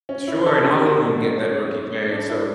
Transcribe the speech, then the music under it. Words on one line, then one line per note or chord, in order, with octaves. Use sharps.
Sure, and all of 'em get that rookie pay, and so
C#4
E4
A4
G4
F#4
D4
C#4
D4
E4